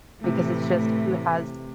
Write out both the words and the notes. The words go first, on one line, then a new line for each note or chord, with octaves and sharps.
because it's just, "Who has
A2 C3 E3 A3